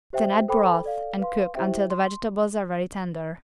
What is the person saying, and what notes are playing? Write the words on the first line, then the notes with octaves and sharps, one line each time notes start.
Then add broth and cook until the vegetables are very tender.
G4 C5 E5 G5
A4 C5 G5 B5 D6
A4 D5 F5
B4 F5 C6
E4 G4 C5 E5 G5
C6